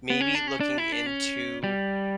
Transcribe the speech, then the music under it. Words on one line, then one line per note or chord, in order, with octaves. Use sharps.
maybe looking into
B3
C#4
D4
C#4
D4
E4
D4
C#4
G3